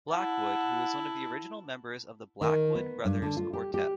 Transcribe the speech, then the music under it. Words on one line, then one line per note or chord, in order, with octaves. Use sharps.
Blackwood, who was one of original members of the Blackwood Brothers Quartet.
E4 F#5 A5
D#3
B3
G2
D3
F4
G4
G4